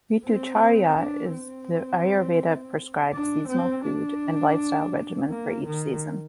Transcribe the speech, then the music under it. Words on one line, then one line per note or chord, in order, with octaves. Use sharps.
Ritucharya is the Ayurveda prescribed seasonal food and lifestyle regimen for each season.
C4
D4
C4
D4
C4
D4
A#3
D#3